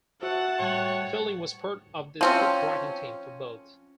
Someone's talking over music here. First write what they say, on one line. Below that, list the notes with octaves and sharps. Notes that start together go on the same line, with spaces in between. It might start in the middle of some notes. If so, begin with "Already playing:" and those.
Fielding was part of the scriptwriting team for both.
F#4 C5 C#5 E5 F#5 A5
A2 G3 C#5
F3 C4 C#4